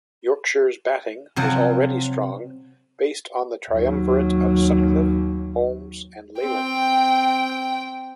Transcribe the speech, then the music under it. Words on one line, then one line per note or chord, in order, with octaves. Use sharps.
Yorkshire's batting was already strong, based on the triumvirate of Sutcliffe, Holmes and Leyland.
C3 F3 F#3
D#2 F#3
C4 G5